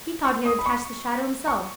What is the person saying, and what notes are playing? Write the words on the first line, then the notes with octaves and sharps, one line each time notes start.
He thought he had attached the shadow himself.
C#6
D#6
B5
C#6
C#6